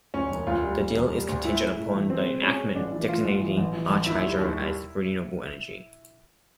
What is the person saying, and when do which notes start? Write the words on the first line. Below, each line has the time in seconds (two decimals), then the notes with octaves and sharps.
The deal is contingent upon the enactment designating large hydro as "renewable energy".
0.14 D2 C#4
0.31 E1
0.47 D2 F4
0.63 G3
0.79 D2
0.96 E1
1.12 G3
1.29 D2
1.45 A2 E4
1.61 G#3
1.78 A2
1.93 E3
2.10 G#3 C4
2.27 G#3
2.43 G#3 C#4
2.59 G#3
2.75 A1 D4
2.92 E3
3.08 A3 F4
3.24 A1
3.41 E3
3.57 A1
3.73 E3
3.90 A1
4.06 D#2 E4
4.22 G3
4.39 D#2
4.55 G3